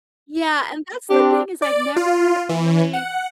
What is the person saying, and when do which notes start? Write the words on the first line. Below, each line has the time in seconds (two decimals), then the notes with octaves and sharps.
Yeah, and that's the thing is I've never really
1.10 C4 D4 G4
1.62 D5
1.96 F4
2.49 E3
2.93 F#5